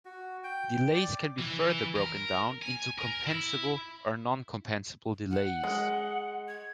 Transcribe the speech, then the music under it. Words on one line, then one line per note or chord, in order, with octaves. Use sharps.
Delays can be further broken down into compensable or non-compensable delays.
F#4
G5
D5
E3
A#4
G#5
A#4
E4
F#5
G#3
G#6